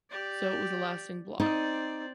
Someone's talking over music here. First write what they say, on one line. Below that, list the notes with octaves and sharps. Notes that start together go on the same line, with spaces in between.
So it was a lasting blot.
G4 D5
C4 D#4 D5